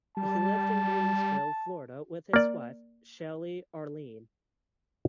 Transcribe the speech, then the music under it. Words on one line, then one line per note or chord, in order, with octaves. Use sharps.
He lived in Gainesville, Florida with his wife, Shelley Arlen.
G3 A5
A#3 D5